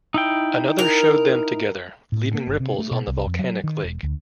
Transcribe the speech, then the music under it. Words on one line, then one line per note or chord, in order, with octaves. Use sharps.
Another showed them together, leaving ripples on the volcanic lake.
D#4 E4 G5
A#4
A2
A#3
G1
C3
A3
B2
C2
F2
F#3
D#3
E1
D2